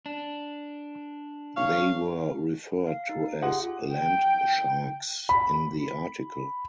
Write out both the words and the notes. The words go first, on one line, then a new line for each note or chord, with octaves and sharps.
They were referred to as "land sharks" in the article.
D4
C#5 F5
F5
D#4
F4 G4 G#4 F#5
G5
B5